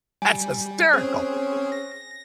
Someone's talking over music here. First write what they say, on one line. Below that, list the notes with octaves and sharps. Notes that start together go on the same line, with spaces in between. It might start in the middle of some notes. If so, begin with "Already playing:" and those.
that's hysterical.
G3 G#5
C4 C#4 G#4 C5
A#6